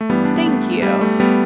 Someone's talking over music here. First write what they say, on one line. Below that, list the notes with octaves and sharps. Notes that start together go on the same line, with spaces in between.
Thank you.
A3
G2 E3 G3 B3
D4
B3
A3
G3
A3
G3 B3